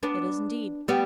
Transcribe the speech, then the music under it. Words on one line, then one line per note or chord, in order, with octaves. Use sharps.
"It is indeed."
B3 D4
G3 B3